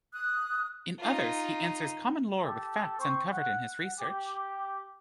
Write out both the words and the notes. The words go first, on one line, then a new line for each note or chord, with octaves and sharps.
In others, he answers common lore with facts uncovered in his research.
D#6 F#6
D#4 F4
G4 A4
C4 C5 C#6
F#5
G4